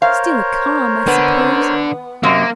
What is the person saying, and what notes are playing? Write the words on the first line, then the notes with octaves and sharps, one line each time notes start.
Still a calm, I suppose?
A#4 C5 C#5 F5
D3 B3
F#2 C3 F#3 A#3 D#5